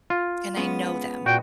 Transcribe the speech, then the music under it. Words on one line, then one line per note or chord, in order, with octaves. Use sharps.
and I know them,
F4
G#3 B3 C#4
A#2 F#4 G5